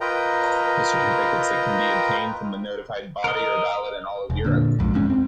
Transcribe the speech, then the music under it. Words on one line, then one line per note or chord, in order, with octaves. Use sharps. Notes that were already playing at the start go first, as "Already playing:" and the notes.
The certificates that can be obtained from a notified body are valid in all of Europe.
F4 A#4 B4 D#5 G5 A#5
A#4 D#5
E1
A#2 D3
B1 F2 G#2
G1 E2 G#2 C#4
C4